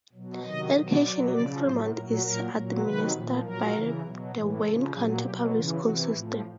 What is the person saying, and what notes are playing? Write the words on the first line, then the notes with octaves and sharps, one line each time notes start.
Education in Fremont is administered by the Wayne County Public School system.
B2 F#3
C3 D#3 F#3 D#5
B2 F#3
B2 F#3 D5
C#3 F3 D5
A2 F#3 C5
A#2 F#3 A#4
A#2 F#3 A#4
A#2 F#3
C3 D#3 F#3 B4
A#2 F3
A#2 F#3 A#4
C#3 E3
B2 F#3
A2 E3
C#3 F3 A4
A#2 F#3 G#4
B2 F#3 G4
C#3 E3 F4
C3 E3 F#4
A2 F3